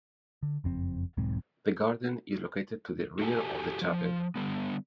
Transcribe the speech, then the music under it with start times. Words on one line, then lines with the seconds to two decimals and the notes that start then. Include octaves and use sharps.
The garden is located to the rear of the chapel.
0.43 D3
0.64 F#1 F2 C4
1.17 E1 B1 G#2 C4
3.19 F#4 G4 A4 F5 F#5 G#5
3.82 F3
4.36 D3 G3 B3